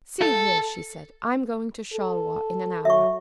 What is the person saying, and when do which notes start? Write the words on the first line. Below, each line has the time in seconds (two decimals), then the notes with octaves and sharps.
"See here," she said; "I'm going to Charleroi in an hour."
0.22 A4
1.93 A4
2.85 F#3 E5 C#6